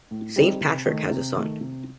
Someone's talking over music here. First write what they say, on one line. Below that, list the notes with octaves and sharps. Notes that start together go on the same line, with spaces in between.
Saint Patrick has a son.
A2
G3 C4 D#4
C3
D#3 A3 D#4
C3
D#3 A3 D#4
C3